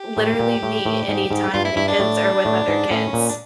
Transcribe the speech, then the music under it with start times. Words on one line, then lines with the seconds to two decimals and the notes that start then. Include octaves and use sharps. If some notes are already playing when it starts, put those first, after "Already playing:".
Literally me, anytime my kids are with other kids.
Already playing: G4
0.17 A2
0.39 A#2
0.63 A2
0.85 A2
1.08 G#2
1.31 G#2
1.54 G2 F4
1.65 E4
1.76 G2 E4
1.88 D4
1.99 A2
2.45 A2
2.68 G#2
2.91 A2 C#4
3.13 A#2
3.29 D4